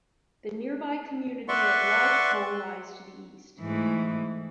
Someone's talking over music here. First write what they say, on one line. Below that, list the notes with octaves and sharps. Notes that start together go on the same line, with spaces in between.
The nearby community of Lodge Pole lies to the east.
B4 D5 E5 F#5 C6 C#6
G#2 E3 A3